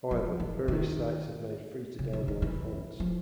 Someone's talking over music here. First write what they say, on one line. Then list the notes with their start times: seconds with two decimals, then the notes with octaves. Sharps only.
However, various sites have made free-to-download fonts.
0.11 F3
0.40 E3
0.68 D#3
1.99 C#3
2.13 D3
2.28 D#3
2.42 E3
3.00 F3